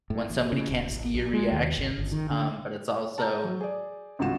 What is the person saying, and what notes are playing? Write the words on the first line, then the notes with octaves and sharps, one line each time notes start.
when somebody can't see your reactions, um, but it's also,
A2
A1
C#3
D1
A1
A#1
G#3
D#2
G#1
G1
D#3
D3
A5 A#5 G6
F#3
G#4 D5
G#1 C#2 G2 F4 F#4 E7